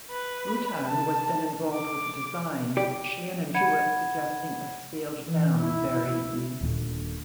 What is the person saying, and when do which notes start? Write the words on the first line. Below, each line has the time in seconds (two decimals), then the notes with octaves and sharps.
Rutan was then involved with the design; Sheehan and Jewett suggesting a scaled-down Vari-Eze.
0.11 B4
0.86 A5
1.74 D6
2.77 G4 D5
3.55 F#5 B5 G#6 C#7
5.27 E3
5.60 E4
6.61 D#1 D#2 A#2 D3